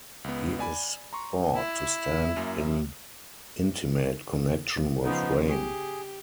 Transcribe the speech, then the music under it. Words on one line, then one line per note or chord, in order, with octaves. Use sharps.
He is thought to stand in intimate connection with rain.
C#2 B3
D5 G#5 B5
A#5 C6 C#6
E4
F#2 A#3
C#3 F3 B3 D#4
G4 G#4